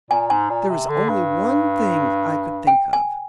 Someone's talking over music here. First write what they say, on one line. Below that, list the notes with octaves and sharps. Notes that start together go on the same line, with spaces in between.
There was only one thing I could think of.
A#2 G#5
G#2 G#5
A#2
C3
D3
G2
G5
G#5